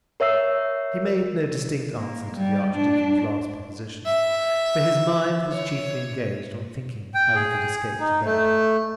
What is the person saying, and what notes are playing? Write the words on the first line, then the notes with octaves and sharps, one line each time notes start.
He made no distinct answer to the archdeacon's last proposition, for his mind was chiefly engaged on thinking how he could escape to bed.
A#4 C#5 E5 E6 C7
A#3
G3
D4
E5
C#5
G5
G#4
D#4
A3